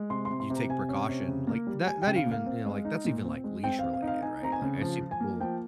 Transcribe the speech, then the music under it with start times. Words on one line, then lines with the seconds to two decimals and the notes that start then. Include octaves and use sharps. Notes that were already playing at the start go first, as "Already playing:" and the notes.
you take precaution, like, that that even, you know, like, that's even, like, leash-related, right? Like, I see people
Already playing: G#3
0.10 C3 C6
0.25 C6
0.31 C3
0.40 C6
0.50 C3 A#5
0.69 C3 G#5
0.89 C#4
1.09 C3
1.28 C#3
1.47 A#3
1.67 G3
1.87 G3 G#5
2.02 G5
2.07 C#3
2.16 F5
2.26 A#3 F5
2.46 C4
2.66 G#3
2.85 D#4
3.05 A#2
3.25 C4
3.44 G#3
3.64 C4 G5
3.79 C4 F5
3.93 F5
4.02 D#4
4.07 F5
4.22 D#4 G#5
4.42 C4 A#5
4.52 G#5
4.62 C#3
4.82 F3
5.01 F3
5.11 G#5
5.20 A#3
5.40 F3 G5